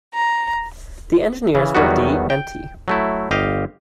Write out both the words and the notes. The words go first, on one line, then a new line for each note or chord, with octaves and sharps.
The engineers were D. and T.
A#5
C#3 E3
E2 D#3 F#3 G3 B3 F#4
G5
F#3 A3 E4
G1 G4 D#5 F5